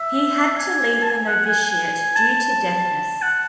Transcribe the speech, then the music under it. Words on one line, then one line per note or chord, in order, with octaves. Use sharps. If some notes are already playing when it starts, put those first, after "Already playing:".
He had to leave the novitiate due to deafness.
Already playing: E5
G#5
A5
G#5
F#5
G#5
G#5
A5
F#5